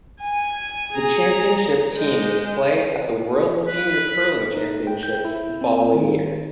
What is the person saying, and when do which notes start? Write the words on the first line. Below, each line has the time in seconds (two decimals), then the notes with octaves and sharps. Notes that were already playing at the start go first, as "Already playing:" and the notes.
The championship teams play at the World Senior Curling Championships the following year.
0.20 G#5
0.92 G#4 A#5
1.97 G#3 G6
3.68 B4
4.54 D#4
4.87 G5
5.03 G6
5.25 E4
5.61 C4
5.95 D#3